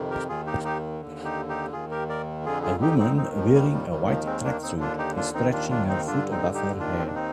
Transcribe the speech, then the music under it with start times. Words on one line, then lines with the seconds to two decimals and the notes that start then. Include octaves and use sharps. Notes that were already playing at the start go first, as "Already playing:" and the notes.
A woman wearing a white tracksuit is stretching her foot above her head.
Already playing: F2 C3 D#3
0.11 G4 A#4
0.29 D#2 D#3 F4 G#4
0.47 D#4 G4
0.64 D#4 G4
1.01 D#2 D3
1.24 D#4 G4
1.49 D#4 G4
1.73 D#2 D#3 F4 G#4
1.91 G4 A#4
2.09 A#4 D5
2.45 F2 D3 F4 G#4
2.63 F4 G#4
2.82 D#4 G4
2.99 C4 D#4
3.17 D#2 D#3 C4 D#4
3.36 F3
3.54 G3
3.73 G3
3.90 D#2 D#3 G3
4.08 F3
4.26 G#3 C4
4.44 A#3 D4
4.62 D#2 D3 C4 D#4
4.80 D4 F4
4.98 D#4 G4
5.17 D4 F4
5.34 D#2 D#3 C4 D#4
5.53 D4 F4
5.71 D4 F4
5.89 C4 D#4
6.07 G2 D3 D4 F4
6.31 C4 D#4
6.55 D#4 G4
6.79 D#2 D#3 D4 F4
6.99 C4
7.07 D4
7.15 C4 D#4